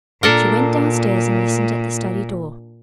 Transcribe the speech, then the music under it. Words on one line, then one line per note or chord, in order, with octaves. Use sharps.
She went down-stairs, and listened at the study door.
A#2 D4 A4 A#4